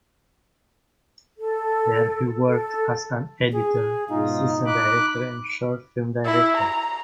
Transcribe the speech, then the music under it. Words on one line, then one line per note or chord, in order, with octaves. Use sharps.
There he worked as an editor, assistant director and short film director.
A4
A4
G#4
G#2 B2 D#4 F4
B5 D6 F#6
E4
A#5